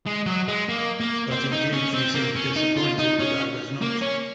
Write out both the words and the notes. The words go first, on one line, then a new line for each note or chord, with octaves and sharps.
But indeed she seemed disappointed that I was not.
G#3
F#3
G#3
A#3
A#3
C4
D#4
C#4
C4
A#3
C#4
D#4
F4
D#4
C#4
A#3
C#4